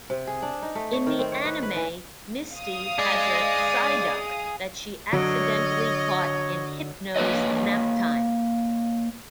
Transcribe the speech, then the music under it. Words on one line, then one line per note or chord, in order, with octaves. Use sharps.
In the anime, Misty has a Psyduck that she accidentally caught in "Hypno's Naptime".
C3
G#4
D4
D#4
A3
C#5
D#3
C4
C#5
B4
B4
E3
F5 D#6
G#4 D5 D#5
D3 F#3 C#5 D#5
A#3 B4 C#5 D#5